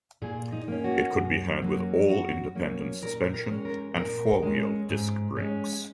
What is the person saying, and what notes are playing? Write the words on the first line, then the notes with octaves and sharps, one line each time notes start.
It could be had with all independent suspension and four wheel disc brakes.
A#2 G#4
D#4
A#3 C#4
F#4
F#2
F#3 A#3 C#4
F#2 F#4
F#3 A#3 C#4
A#2 A#4
A#4
G#3 C#4
A#4
A#2 A#4
G#3 C#4
G#2
G#3 C#4